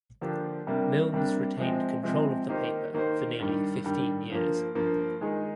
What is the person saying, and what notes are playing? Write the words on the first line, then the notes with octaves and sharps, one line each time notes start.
Milnes retained control of the paper for nearly fifteen years.
D3 F3 A#3 D4 G4
C3 G3 A#3 D4
C3 G3 A#3 D4
C3 F3 G#3 C4
C3 F3 G#3 C4
D#3 A#3 D#4 G4 C5
D#3 A#3 D#4 G4 C5
G2 D#3 G3
G2 D#3 G3
G2 F3 A#3
G2 F3 A#3
D#3 G#3 D#4 G#4